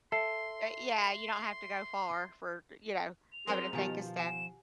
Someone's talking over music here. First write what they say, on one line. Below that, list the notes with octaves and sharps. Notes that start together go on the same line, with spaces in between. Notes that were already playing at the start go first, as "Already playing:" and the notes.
uh, yeah, you don't have to go far for, you know, having to think of stuff.
A4 E5 C6 C7
F7
F#3 C4 G#4 A#4 C5 C6
B2 D#3 F3 F4 G4 G#5 A#5
F#5 G#5 E7